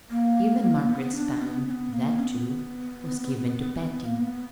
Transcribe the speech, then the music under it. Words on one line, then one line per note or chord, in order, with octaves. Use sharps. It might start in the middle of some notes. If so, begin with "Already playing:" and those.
Even Margaret's time--that, too, was given to Patty.
A#3
B3
D4
B3
C#4
B3
A#3
C#4
B3
B3
A#3
B3